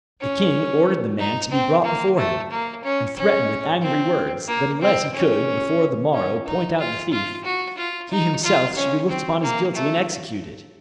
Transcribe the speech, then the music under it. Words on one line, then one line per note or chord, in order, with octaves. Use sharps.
The king ordered the man to be brought before him, and threatened with angry words that unless he could before the morrow point out the thief, he himself should be looked upon as guilty and executed.
C#4
D#4
C4
A#3
A3
A#3
C#4
C#4
C4
A#3
C4
C#4
C#4
D#4
F4
F4
F#4
F4
D#4
F4
C#4
C4
A#3
A3